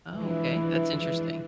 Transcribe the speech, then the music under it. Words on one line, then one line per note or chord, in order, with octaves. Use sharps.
Oh, okay, that's interesting.
E3 F3 G#3 D4